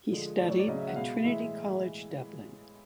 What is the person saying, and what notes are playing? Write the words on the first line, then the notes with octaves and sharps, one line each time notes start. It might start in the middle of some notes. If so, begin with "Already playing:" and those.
He studied at Trinity College Dublin.
D3 F3 G#3
A2 F#3 D5
C#5
D5
C#3 F#3 D#5
E5
F#5
B2 G#3 F5
A2 E3 G#3 E5